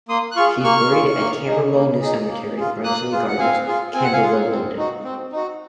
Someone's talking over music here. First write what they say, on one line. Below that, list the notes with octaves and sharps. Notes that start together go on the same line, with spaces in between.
She is buried at Camberwell New Cemetery, Brenchley Gardens, Camberwell, London.
A#3 C6 D#6
F#6
F4 G#4 C#6 F6
A#3 C#6 F6
F4 G#4
A#3
D#4 G#4
A#3
D#4 G#4
A#3
F4 G#4
A#3 D#6 F#6
F4 G#4
F#5
C4 F5 G#5
F4 G#4
C4 G#5
F#5
F5 G#5
F4 G#4
C4
D#4 F#4
C4
D#4 F#4